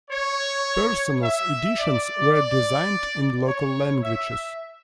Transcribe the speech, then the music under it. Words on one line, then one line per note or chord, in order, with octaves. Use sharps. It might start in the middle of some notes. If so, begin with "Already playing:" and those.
Personals editions were designed in local languages.
C#5
E5
D5
D5
C#5
E5